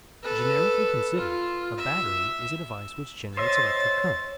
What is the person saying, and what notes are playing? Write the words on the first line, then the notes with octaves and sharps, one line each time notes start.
GENERICALLY considered, a "battery" is a device which generates electric current.
A4 B4
F4
E5
C5 C#5 D#5 E5 A6